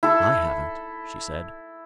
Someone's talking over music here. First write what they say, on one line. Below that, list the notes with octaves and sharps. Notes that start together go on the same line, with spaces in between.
"I haven't," she said.
E4 A4